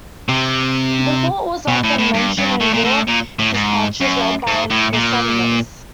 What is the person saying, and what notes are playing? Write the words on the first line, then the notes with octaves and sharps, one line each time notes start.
The fort was often mentioned in war dispatches read by the settlers.
C3
B2
A2
A2
G2
G2
A2
A#2
A2
A#2
A2
G#2
F#2
G#2
A2
A#2